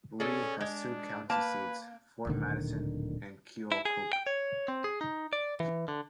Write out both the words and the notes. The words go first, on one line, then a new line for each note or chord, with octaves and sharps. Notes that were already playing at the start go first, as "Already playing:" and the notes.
Lee has two county seats - Fort Madison and Keokuk.
C#4 G#4 A4 D5
G#3 D4
A#3 B4 A5
D1 A#2 D3 D#3
E4
G#4
G5
C#5
C4
G#4
D#4
D5
E3
D3